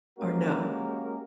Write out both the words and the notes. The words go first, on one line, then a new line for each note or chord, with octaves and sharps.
or no?
G#3 A#3 C#4 F#4 G4 A#4